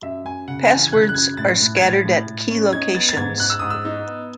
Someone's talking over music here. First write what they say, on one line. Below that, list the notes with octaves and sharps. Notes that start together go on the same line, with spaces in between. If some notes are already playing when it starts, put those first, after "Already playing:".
Passwords are scattered at key locations.
F#2 E5
F#2 G#5
C#3 F#5
A5
E3 G#5
G#6
C#3 F#6
F#6
F#2 G#6
A2 A6
A2
G#6
A2 A6
A2
A2
C#4
D#4 G#6
B3 A6
A6
G#2 G#6
G#2 F#6
E6
G#2 D#6
E6
D#4
B3